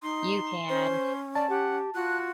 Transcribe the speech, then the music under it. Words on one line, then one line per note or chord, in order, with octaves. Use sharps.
you can
D#4 C6
C#4 C5
D5 A5
G4 F#5
F4 F#4 F#6